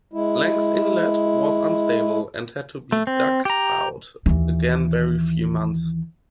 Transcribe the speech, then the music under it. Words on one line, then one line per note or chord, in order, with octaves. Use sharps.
Lang's Inlet was unstable, and had to be dug out again every few months.
G#3 E4
A3
C4
G4 A#5
D#2 E3